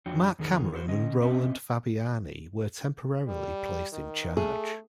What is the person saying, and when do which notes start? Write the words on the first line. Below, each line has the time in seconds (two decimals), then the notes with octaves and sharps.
Mark Cameron and Roland Fabiani were temporarily placed in charge.
0.06 F2 F3 D4 F#4 C#5 G5
0.39 E2 D#3 G#4 A#4
0.73 E4 F#4 C5
0.88 D3 C#4 D#5
1.21 C4 C#4 D#5 E5
3.28 G3
3.93 D#3
4.37 A3 G#4